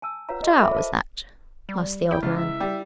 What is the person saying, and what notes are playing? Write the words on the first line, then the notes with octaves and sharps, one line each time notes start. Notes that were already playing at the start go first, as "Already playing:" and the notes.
"What hour was that?" asked the old man.
G#5 A5 E6
F4 B4 C#5 F5 F#5 A#5
G4 D#5
F4 A4 A#4 E5 B5 D6
C5 F5 A5
G3
E4 G5
C#2 F4
E5
G3